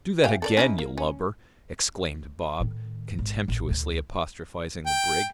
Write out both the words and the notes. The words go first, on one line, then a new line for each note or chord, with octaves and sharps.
"Do that again, you lubber!" exclaimed Bob, contemptuously apostrophising the brig.
E3 G4 F5
A4 A#4 D5
C#4 D#4 E4
A#3
C#4
A2 D#3
G#1
A1
D2 D3
G5